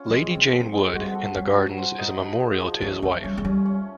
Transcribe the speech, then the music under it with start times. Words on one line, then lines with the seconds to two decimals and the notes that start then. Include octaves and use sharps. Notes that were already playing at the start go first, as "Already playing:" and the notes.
Lady Jane Wood in the gardens is a memorial to his wife.
Already playing: C#4 F4
0.10 F#3 G#3
0.23 F3
0.31 F#3 C4
0.52 C4
0.73 G#3
0.94 G3 F#4
1.15 A4
1.35 G3 C#4
1.57 F#4
1.78 C5
1.99 D#4
2.19 D#4
2.40 G#4
2.61 F3
2.82 E3 C#4
3.02 F#3 A3
3.24 G3 C#4
3.37 G#3
3.44 G3 C#4
3.65 C#4